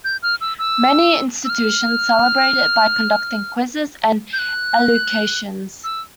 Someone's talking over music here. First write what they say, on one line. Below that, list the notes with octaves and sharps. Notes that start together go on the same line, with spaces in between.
Many institutions celebrate it by conducting quizzes and elocutions.
G6
F6
E6
E6
E6
F6
G6
F#6
E6